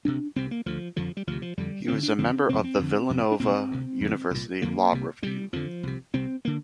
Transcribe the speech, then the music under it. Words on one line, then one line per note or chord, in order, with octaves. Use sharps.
He was a member of the Villanova University Law Review.
D2 C3 D4
C2 C3 C4
A#3
D2 D3 F3
F2 D3 F3
G3
D2 C3 F3
F3
F2 D3 G3
D2 D3 C4
D4
F2 D3 C4
F2 C3 C4
C4
F2 D3
F2 C3
D4
C2 A#2 C4
D2 C3
F2 D3
C2 A#2
F2 D3 A#3
C2 C3
D2 C3 G3
F2 D3 F3
C2 C3
C2 C3 C4
D3 A#3